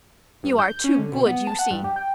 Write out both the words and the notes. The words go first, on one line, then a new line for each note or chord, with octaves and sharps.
You are too good, you see!
G2
G6
C#4
D3
B2
B3
A5
F#5
G2
G4
G5